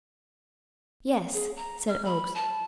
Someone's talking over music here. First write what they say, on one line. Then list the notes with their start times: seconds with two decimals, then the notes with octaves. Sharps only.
"Yes," said Oakes.
1.34 G#4
1.56 A#5
1.88 F6
2.05 B5
2.35 A5